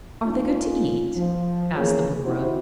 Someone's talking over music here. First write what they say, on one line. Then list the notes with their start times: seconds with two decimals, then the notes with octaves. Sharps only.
"Are they good to eat?" asked the Boolooroo.
0.25 A#3 C#4 D#4 F4
1.15 F3
1.75 E3 A#3 B3 C#4 G#4 C#5
2.23 C4 D#4 E4 F#4 G4 C5